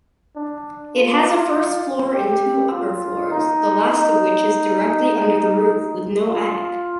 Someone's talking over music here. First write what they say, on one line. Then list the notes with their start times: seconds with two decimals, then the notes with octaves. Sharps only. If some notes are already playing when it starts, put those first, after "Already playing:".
It has a first floor and two upper floors, the last of which is directly under the roof, with no attic.
0.36 D4
0.95 F4
2.13 G4
2.72 F4
3.30 D#4
3.89 D#4
6.27 F4